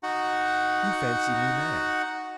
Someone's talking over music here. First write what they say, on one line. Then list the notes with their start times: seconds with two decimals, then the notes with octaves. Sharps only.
You fancy me mad.
0.03 D#4 F#4 F#5